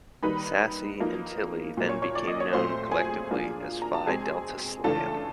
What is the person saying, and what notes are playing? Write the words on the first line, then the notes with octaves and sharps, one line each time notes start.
Sassi and Tilly then became known collectively as "Phi Delta Slam".
D#3 G3 A#3 D#4 B4 B5
F3 A#3 D#4
A#2 F#3 A#3
C#5 C#6
C#5 C#6
D5 D6
D#5 D#6
C#5 C#6
A#2 F#3 A3 C4 F4 C5 C6
G#4 G#5
F3 A#3 D4 F4
A#5
A5
B2 G#3 C4 G#4 G#5
C#3 E3 A3 D4 F4 A4 A5